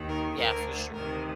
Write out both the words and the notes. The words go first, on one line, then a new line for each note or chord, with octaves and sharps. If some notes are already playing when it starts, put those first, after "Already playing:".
yeah, for sure.
Already playing: D#2 D#3
A#4
D2 D3 A#4
D2 C3 D#3 A#4